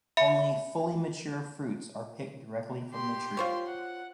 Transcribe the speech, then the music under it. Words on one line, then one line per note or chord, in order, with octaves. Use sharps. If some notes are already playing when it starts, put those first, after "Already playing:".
Only fully mature fruits are picked directly from the tree.
E5 B5 C#7
G4 C6
F4 C5 C#5
F#5